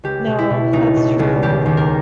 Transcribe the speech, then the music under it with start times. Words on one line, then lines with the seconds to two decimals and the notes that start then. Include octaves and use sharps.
No, that's true,
0.03 C#2 G4
0.27 B2
0.39 E4
0.50 B2
0.73 C#2 D#4
0.96 B2
1.19 C#2
1.42 D#2 G4
1.66 D#2
1.77 A#4